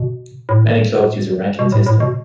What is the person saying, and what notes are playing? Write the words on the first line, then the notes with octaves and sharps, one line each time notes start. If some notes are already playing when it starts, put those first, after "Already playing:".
Many clubs use a ranking system.
Already playing: B2
A2
B2
A2
A2
B2